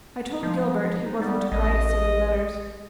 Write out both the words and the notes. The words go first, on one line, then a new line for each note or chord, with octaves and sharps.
I told Gilbert he wasn't to write silly letters.
F3
D#4
G3 B3
A1 D#5